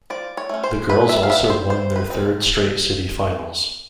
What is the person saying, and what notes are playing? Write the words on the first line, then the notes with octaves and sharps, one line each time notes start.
The girls also won their third straight city finals.
F3 D5
C#5
A3 C#4
C5
G#3 B4
E5
F5
B3 D4 E5
C5
E3 C5
B4
G#3 C4 D#4